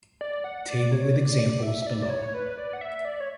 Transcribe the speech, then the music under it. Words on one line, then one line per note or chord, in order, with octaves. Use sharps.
Table with examples below.
D5
F#5
D5
C#5
D5
D5
E5
E5
D5
D5
C#5
B4
D5
F#5
E5
D5
C#5